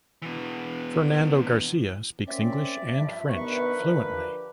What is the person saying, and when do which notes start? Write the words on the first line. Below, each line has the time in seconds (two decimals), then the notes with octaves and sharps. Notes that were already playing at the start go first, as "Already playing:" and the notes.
Fernando Garcia speaks English and French fluently.
0.22 B2 E3
2.27 A#3 C4 C#4 D5 E5
2.95 G2 F3
3.29 C3 D#3 B3 D4 A#4 B4 C#6
3.77 D3 F3
4.11 G4